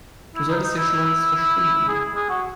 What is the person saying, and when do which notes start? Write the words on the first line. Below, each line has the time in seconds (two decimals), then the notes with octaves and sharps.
Du solltest hier schleunigst verschwinden.
0.35 E4
0.49 D#4
0.63 D#4
0.77 E4
1.88 G#4
2.16 G#4
2.29 F#4